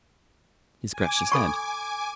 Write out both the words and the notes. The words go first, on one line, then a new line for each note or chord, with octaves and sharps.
He scratched his head.
G#5 D6
A4 B5 C#6